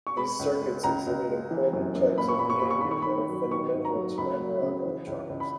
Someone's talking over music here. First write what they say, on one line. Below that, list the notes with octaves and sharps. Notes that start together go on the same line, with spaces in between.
These circuits exhibit important types of behaviour that are fundamental to analogue electronics.
C#6
G#3 B5
C#2
G#3
C#2 A#5
C#2
G#3
E3
F#2
F#2
A#2 B5
C#6
A#2 B5
C#6
A#2 B5
C#6
D#3 B5
C#6
B5
D#3
F#3
D#3 C#6
G#2
A#5
F#3
C#2 B5
F#3
C#3
E3
C#2
C#2
B5